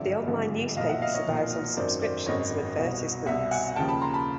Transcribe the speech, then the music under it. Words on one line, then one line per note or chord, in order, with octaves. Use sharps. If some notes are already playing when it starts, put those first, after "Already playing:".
The online newspaper survives on subscriptions and advertisements.
Already playing: G#1 G2 D3 F3 D5 E5
G#1 G2 D3 F3
B1 A#2 F3 D#5 F5
E5 F#5
D#5 F5
C#5 D#5
B1 A#2 F3
G#1 F#2 D#3 C5 D5
C5 D5
G#1 F#2 D#3 C#5 D#5
C2 B2
C2 B2 E5 F#5
F#5 G#5
D#2 C#3 F3 G5 A5
A5 B5
A#5 C6
A5 B5